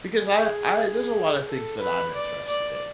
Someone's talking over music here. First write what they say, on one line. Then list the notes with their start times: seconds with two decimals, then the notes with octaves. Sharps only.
because I I there's a lotta things that I'm interested in,
0.17 G#4
1.48 A4
1.81 B4
2.14 D5
2.47 D5